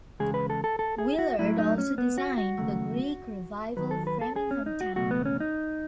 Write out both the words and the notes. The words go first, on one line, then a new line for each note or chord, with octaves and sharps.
Willard also designed the Greek Revival Framingham Town Hall.
E2 C#3 G#3 G#4
B4
A4
A4
A4
G#4
F#4
A2 F#3 A3 E4
D#4
C#4
B3
F#4
F#4
D#2 C#3 F#3 A3
D#2 D#3 F#3 B4
A4
B4
A4
G#4
C#4
D#4
F#4
C#2 B2 A3 F#4
B3
C#4
D#4